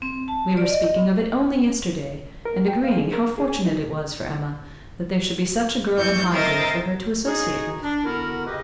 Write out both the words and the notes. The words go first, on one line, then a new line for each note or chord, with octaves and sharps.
We were speaking of it only yesterday, and agreeing how fortunate it was for Emma, that there should be such a girl in Highbury for her to associate with.
C4
A5
D5
D#5
A#4
G5
F5
G#4
A#4
G#4
G#5
D#4
F#2 E3 C#6 G6
C4 A#4 C5 D#5 E5 A6
D#4 F#4 G#4
D4
D3 B3 E4 F#4 A#4
F2 C#3 G4 B4 D#5